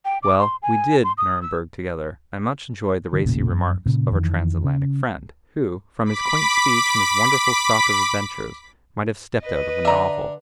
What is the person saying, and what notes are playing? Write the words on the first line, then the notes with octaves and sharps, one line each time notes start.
Well, we 'did' Nurnberg together, and much enjoyed the racy remarks of our Transatlantic friend, who, from his quaint speech and his wonderful stock of adventures, might have stepped out of a novel.
G5
D6
C6
G#5
C6
D#6
E6
D3 E3
E1 A1 A#2 C#3
F#2
A#2 C#3
F2 D#3 E3
C#3
B5 D6 B6
B4 D#5
D3 D4 E5 A#5